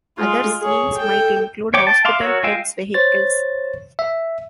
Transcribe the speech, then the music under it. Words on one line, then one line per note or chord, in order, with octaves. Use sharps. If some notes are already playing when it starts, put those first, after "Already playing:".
Other scenes might include hospital, pets, vehicles.
G#3 F4
G#4 C#5
A4 G5
C#5 G5 D6
G5 A5
E5 F5 C6 D6
F#4 A#4 C#5 E6
G#3 F4 F5 G5 E6
C5 C#5 A6
E5